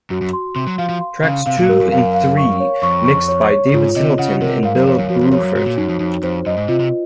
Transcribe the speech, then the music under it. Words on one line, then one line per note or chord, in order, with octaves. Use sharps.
Tracks two and three mixed by David Singleton and Bill Bruford.
F#2 F#4
F#2
C6
C3 C6
F#3
F3 F5
F3
C6
C#3 F5
C3 F5
A#2
G#2 A#4
F#2
F#2 F5
F5
C#6
C#5
F2 C#6
C#6
C#5
C#5
G#2 F4
C3 D#5
C#3 F#5
C3 A#4
G#2 F5
F#2
F2 C#5
F#2
F2 F#4
F2
F2 C#5
F#2
G#2 F#4
A#2
F#2 D#4
F2
F2 D#4
F2 C5
F#2 D#5
G#2
C3 F4
C3